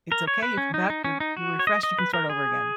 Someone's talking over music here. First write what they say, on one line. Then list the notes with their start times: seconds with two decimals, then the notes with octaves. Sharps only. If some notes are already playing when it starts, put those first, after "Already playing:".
it's okay, you come back, you're you're refreshed, you can start over again.
0.12 A#4
0.27 C#5
0.42 B4
0.57 C#4
0.74 D#4
0.90 D#4
1.04 C#4
1.20 D#4
1.37 F#4
1.59 C#5
1.67 D#5
1.83 D#5
1.99 B4
2.14 A#4
2.30 G#4